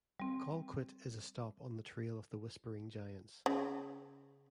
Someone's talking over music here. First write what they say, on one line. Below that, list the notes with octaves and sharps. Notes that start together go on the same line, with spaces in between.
Colquitt is a stop on the Trail of the Whispering Giants.
G3 C4
C#3